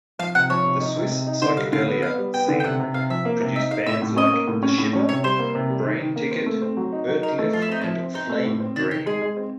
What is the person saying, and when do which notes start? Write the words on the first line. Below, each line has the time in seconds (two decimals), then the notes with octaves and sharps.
The Swiss psychedelia scene produced bands like The Shiver, Brainticket, Ertlif and Flame Dream.
0.19 F3 F5
0.35 C3 F#5
0.50 F3 C#5
0.65 C3
0.81 D#4
0.96 C3
1.11 C3
1.27 D#4
1.42 D3 C5
1.57 G3 F5
1.73 D3 F5
1.88 B3
2.02 B3 F5
2.18 G3
2.34 B3 G5
2.48 D3
2.60 G5
2.64 C3 F#5
2.80 C3
2.94 C3 F5
3.10 F3 E5
3.25 A#3
3.41 C3
3.56 D#4 E5
3.71 D#4 F5
3.86 A2 E5
4.02 A2
4.16 C#4 D#5
4.33 A#3
4.47 A2
4.63 C#4
4.78 A2
4.93 C#4
5.09 C3 C#5
5.24 G3 C5
5.39 A#3
5.55 C3
5.70 G3
5.85 D#3
6.00 D#3
6.16 A#3
6.31 C4
6.46 A3
6.62 C4
6.77 F#3
6.92 D#4
7.08 F#3
7.23 D#4 A#4
7.39 A3
7.53 F3 F4
7.62 E4
7.69 C4 D#4
7.81 F3 E4
8.00 C4
8.14 C4 D#4
8.29 A3
8.45 A2
8.60 C4
8.76 D#3 D4
8.90 D#3 G4
9.06 G#3 G#4
9.22 G#3
9.37 C4